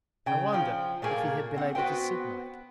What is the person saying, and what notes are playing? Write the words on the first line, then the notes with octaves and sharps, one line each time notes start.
I wondered if he had been able to signal it.
C#3 G5
F3 G5
A#2 A3 A#3 G#4
C4 F#5
B3 F#4 B4 C5 G5